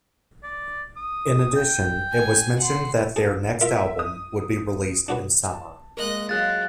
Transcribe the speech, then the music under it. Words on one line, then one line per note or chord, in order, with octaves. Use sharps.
In addition, it was mentioned that their next album would be released in summer.
D5
D#6
G5
G#5
F#5 C6
G#4 A4
F4 A#4 E5
D#6
D4 F#4 B4
A5
G#3 A#3 A#4 D#5 F#6
F#3 G#3 F4 G#4 F5 F#6 A6